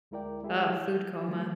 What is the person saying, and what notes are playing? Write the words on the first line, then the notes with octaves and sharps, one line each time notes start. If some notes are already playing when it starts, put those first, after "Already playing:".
uh, food coma.
D2 G#3 E4 A#4 D5 G5
G#3 E4 G4 G#4
F6 G6 G#6
D#3 F#3 G3 A3